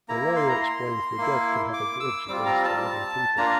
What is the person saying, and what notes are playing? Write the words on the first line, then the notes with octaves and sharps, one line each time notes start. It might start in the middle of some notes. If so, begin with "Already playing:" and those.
The lawyer explains the dead can have a grudge against the living people.
A#3 E4 A#5
C6
A#5
C6
A#3 E4
D6
E6
G3 C4 F4 D6
A#5
A5
A#3 D4 F4 A#5